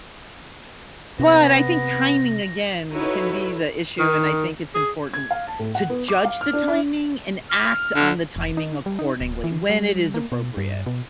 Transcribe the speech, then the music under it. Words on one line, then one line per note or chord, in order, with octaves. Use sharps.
But I think timing, again, can be the issue, and I think it's important to judge the timing and act on the timing accordingly, when it is appropriate.
C3 B3 A#6
D#4 E4 F#4 A4 B4 C#5
D#3
G#4
G#6
F5
A5
A2
F#5
B3
D6
F5
F6
D4
E4
F6
D3
F1
D#4
G3
D#4
D1
E3
G3
A#3
B2
G2
B2